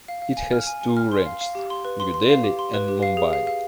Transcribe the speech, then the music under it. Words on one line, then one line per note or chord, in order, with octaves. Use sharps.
It has two ranges: New Delhi and Mumbai.
F5
F5
G#5
F6
G#5
G#5
F6
C6
F5
F5
G4
C6
B4
C6
C6
F5
G4
C6
B4
G4
F5
G#4
F5
F5